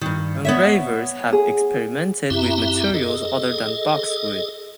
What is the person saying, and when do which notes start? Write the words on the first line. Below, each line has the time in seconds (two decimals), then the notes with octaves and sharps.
Engravers have experimented with materials other than boxwood.
0.01 G2 D#3
0.45 B3 C#5 E5
1.33 G#4
2.30 F#2 C4 E4 G4 E5 A#5
2.94 G#4 A4 D#5